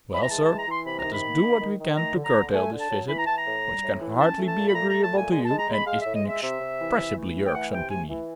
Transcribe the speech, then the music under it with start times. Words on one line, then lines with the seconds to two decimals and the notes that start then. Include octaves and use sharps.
Well, sir, let us do what we can to curtail this visit, which can hardly be agreeable to you, and is inexpressibly irksome to me.
0.11 E3 B5
0.22 A#5
0.30 G#3 A5
0.44 E3 A5
0.58 A#5
0.67 E3 C6
0.85 C3 B5
0.99 A#5
1.04 D#3
1.12 B5
1.23 A#3
1.41 D#3
1.60 D#3
1.78 D#3
1.96 A3 A#5
2.15 D3
2.25 A#5
2.34 D3
2.52 A3 G#5
2.71 D3
2.80 A5
2.89 F#3
3.08 E3 B5
3.18 A#5
3.26 E3 A5
3.36 A#5
3.45 A2
3.64 G3
3.82 A2
4.01 E3
4.19 C#4 A5
4.38 A3
4.47 A5
4.57 A#2
4.68 B5
4.75 A3 A#5
4.89 A3 A#5
5.03 A5
5.12 A#2 G#5
5.31 G#3 G#5
5.44 A5
5.50 G#3
5.58 A#5
5.68 G#3 B5
5.86 G#3 F5
6.00 A2 E5
6.14 D#5
6.23 G#3 E5
6.42 C3 E5
6.61 C3
6.79 E3
6.98 E3
7.16 A3
7.35 A3
7.46 G5
7.53 E3 F#5
7.72 C3 G5
7.90 A3 G#5
8.09 E3